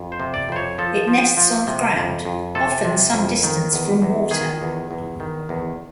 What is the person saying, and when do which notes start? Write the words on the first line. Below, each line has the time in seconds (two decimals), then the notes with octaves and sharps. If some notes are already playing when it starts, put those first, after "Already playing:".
It nests on the ground, often some distance from water.
Already playing: F2
0.12 C5
0.20 C3
0.34 D5
0.49 F2 C5
0.56 C#5
0.78 F3 A4
1.08 F3
1.37 F3
1.67 C3
1.96 F2
2.25 F2
2.55 C3 A4
2.85 C3
3.14 F2
3.43 D#3
3.73 E2
4.02 E2
4.31 D#3 G#4
4.61 E2
4.91 E2
5.20 D#3
5.49 E2